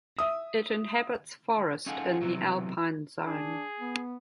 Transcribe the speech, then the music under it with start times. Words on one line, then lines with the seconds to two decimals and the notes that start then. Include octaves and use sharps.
It inhabits forest in the alpine zone.
0.19 E5 D#6
1.86 C#4 D#4 F4 G#4 A4 F#5
2.21 B1 G2 C3 E3 F#3
3.26 D4 G#4
3.80 B3